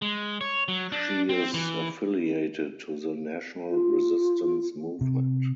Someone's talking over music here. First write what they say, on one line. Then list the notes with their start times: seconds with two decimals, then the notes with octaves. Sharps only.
She is affiliated to the National Resistance Movement.
0.02 G#3
0.41 C#5
0.68 F#3
0.92 D4
1.29 C4
1.54 E3
3.71 F4
5.01 C3